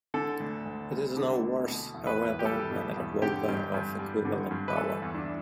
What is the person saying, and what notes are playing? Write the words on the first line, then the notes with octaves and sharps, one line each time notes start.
It is no worse, however, than a revolver of equivalent power.
D3 A4
D2
D2
G3
D3
D2
B2
E2
B4
E2
G4
G3 A4
B2
E2
D3 G4
G2
G2
G3
D3
G2
B4
E3 A4
E2
D4